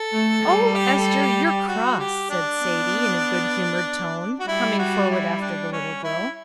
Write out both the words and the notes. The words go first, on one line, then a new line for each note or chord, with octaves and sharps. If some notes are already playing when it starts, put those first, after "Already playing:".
"O, Ester, you're cross!" said Sadie, in a good-humored tone, coming forward after the little girl.
Already playing: A4
A3
G3
G4
A4
G4
G4
F#4
G4
D4
B3
F#4
G3 E4
F#4
E4
D4
C#4
E4